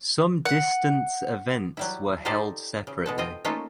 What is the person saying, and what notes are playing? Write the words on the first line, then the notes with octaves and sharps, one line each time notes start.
Some distance events were held separately.
F#5
F#3 G3 E4
D#4 F4 G4 A4 C5 D5
C#3
B2 G#3 A4
C4 F4 D#5
A3 A#3 C#4 D#4 F4